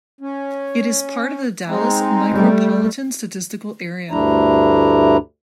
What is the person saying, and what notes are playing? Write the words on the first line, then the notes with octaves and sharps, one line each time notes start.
It is part of the Dallas micropolitan statistical area.
C#4
G#3 C4 D#4
G3 A3
D2 G2 A3 D4 E4 A#5